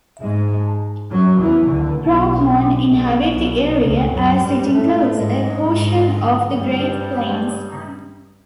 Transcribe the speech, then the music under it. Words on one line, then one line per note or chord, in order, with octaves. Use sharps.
Pronghorn inhabit the area, as it includes a portion of the Great Plains.
G#2 G#3
F#2 F#3
E2 E3
D2 D3
B1 B2
B1 B2
B1 B2
C#2 C#3
F#2 F#3
G2 G3
A2 A3
G#2 G#3
G#2 G#3
G2 G3